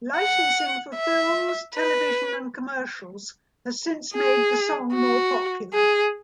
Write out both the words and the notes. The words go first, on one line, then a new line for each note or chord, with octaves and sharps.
Licensing for films, television, and commercials has since made the song more popular.
F#5
E5
B4
G#4
F#4
G#4